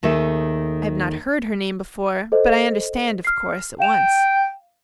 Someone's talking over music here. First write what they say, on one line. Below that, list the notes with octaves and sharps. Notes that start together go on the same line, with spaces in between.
I have not heard her name before, but I understand, of course, at once.
D#2 D#3 A3 G#4 E5
A4 C5 D#5
F6 C7
F5 G5 E7 F7